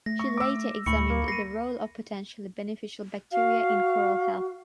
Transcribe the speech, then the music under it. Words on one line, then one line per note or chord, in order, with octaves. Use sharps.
She later examined the role of potentially beneficial bacteria in coral health.
A3 A#6
C#6
D6 E6
D2 A2 B5 C#6 C#7
A#3
A#6 C7 D#7
F#4 F5